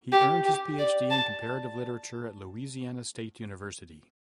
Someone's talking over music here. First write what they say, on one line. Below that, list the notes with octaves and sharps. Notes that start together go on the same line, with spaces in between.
He earned his PhD in Comparative Literature at Louisiana State University.
G4
G4
D5
A5